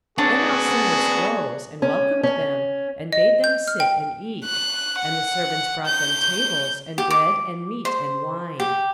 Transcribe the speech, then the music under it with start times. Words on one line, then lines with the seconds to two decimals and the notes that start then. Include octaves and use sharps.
Then Alcinous rose, and welcomed them, and bade them sit and eat; and the servants brought them tables, and bread, and meat, and wine.
0.18 B3 C4 D4 F#4 G#4 C#5
1.82 C#4
2.23 C#4
3.13 D#5
3.44 G6
3.67 F6
3.80 G5
4.44 F#6
4.99 F#5
5.87 G6
6.98 G4
7.10 D6
7.85 C5
8.60 G4